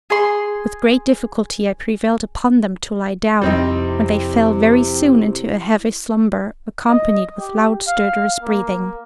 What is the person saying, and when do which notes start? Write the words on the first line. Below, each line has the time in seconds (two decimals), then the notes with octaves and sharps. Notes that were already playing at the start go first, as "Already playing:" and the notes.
With great difficulty I prevailed upon them to lie down, when they fell very soon into a heavy slumber, accompanied with loud stertorous breathing.
0.10 G#4 C6
3.41 F2 C3 G3 C4 D#4 E4
6.89 D#5
7.39 G4
7.88 F5
8.43 A#3